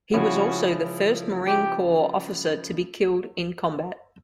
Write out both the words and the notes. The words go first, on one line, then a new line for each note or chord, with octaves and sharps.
He was also the first Marine Corps officer to be killed in combat.
C#3 F3 G#3 C#4 E4 F#4
G4